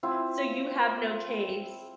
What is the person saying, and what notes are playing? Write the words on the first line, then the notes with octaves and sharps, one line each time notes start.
So you have no case."
C4 E4 F4 C5